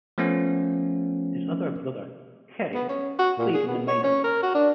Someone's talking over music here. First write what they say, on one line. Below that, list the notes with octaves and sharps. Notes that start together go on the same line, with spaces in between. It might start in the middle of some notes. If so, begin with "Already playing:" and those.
His other brother, Kerry, played in the minor leagues.
F3 A3 B3 C#4
B3
C#4
F#4
A#2
G#4
B3
C#5
C#4
A#4
F#4
D4